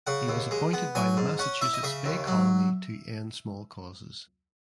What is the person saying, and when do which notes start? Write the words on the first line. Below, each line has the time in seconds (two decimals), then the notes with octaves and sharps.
He was appointed by the Massachusetts Bay Colony to end small causes.
0.07 C#3 F#5
0.29 D#2
0.51 G#3
0.73 B3
0.95 F#3 G#5
1.17 G#2
1.39 C#4 F#5
1.61 E4 E5
1.73 D#5
1.83 C#3 E5
2.06 D#2
2.27 F#3